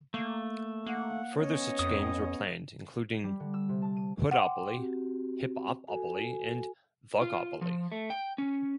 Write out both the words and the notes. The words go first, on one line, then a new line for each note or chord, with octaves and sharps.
Further such games were planned, including "Hoodopoly", "Hiphopopoly", and "Thugopoly".
A3 A#3
A#3 F#5
B3 C#4 C#5 D#5
F2 D#6
G3
D3
E6
C3
A5
D#7
F#5 G5 C6 D6
C4 F#4 G4
F#4 A4 G#5
F4
F3
A3
G5
C#4